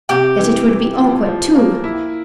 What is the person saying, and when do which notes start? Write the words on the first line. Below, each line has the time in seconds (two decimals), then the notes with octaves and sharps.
Yet it would be awkward too.
0.09 C3 G4 G5
0.38 E3
0.68 E3
0.96 F3
1.26 F3
1.55 A#3
1.84 E4